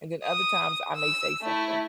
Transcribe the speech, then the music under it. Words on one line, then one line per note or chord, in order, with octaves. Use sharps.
and then other times, I may say something
D#6
E6
A3 E4